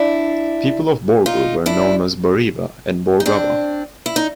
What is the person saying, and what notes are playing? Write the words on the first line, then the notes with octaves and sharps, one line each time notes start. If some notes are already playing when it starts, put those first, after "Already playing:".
People of Borgu were known as Bariba and Borgawa.
Already playing: D4 E4
D#4 F4
D4 E4
D#4
C4 D4
E4
D#4